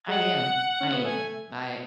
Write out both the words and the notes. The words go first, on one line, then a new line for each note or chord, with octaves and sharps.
I am. I am. I uh,
G#3 F#5
C#4
B3
A3 G#5